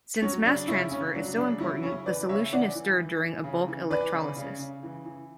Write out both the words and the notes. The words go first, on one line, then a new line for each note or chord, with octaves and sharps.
Since mass transfer is so important the solution is stirred during a bulk electrolysis.
F#3 C#4
C#3 D4
C#3 C#4 E4
C#3 C#4
F#3 D4
C#3 D4
F#3 C#4 E4
C#3 C#4 E4
E3 B4 D5
C#3 C#5 E5
E3 D5 F#5
E3
E3
E3
C#3
E3
E3 B4 D5
C#3
C#3
C#3
E3
E3